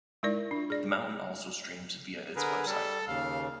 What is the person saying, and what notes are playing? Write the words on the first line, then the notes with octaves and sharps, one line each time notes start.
The Mountain also streams via its website.
G#3 D#4 E4 A#4 D5
D4 F4
G#4 D5
D3 G#4 A#4 B4
G3 A4
D#2 C#3 F5